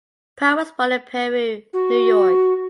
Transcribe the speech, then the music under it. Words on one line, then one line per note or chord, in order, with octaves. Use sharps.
Pratt was born in Peru, New York.
F#4